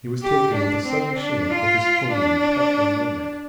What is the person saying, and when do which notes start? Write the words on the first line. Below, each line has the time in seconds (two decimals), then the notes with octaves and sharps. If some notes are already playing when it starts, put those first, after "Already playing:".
He was taken with a sudden shame of his homely patronymic.
0.22 G4
0.55 D4
0.86 C4
1.19 D4
1.51 F4
2.13 D4